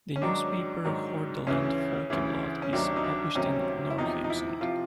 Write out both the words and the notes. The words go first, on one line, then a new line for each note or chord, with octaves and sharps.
The newspaper "Hordaland Folkeblad" is published in Norheimsund.
C#4
G#2 D#3 F#3 D4
G#2 D#3 F#3
D2 C#3 E3 C#4
D2 C#3 E3
C#4
D2 C3 D#3 F#3 D4
D#4
D4
D2 C3 D#3 F#3 C#4
E4
E2 C3 F3 D#4
D#4
E4
C3 F3 F4